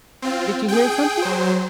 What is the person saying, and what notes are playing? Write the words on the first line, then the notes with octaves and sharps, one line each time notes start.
Did you hear something?
C4 F4
G#4 G5
F#3 C5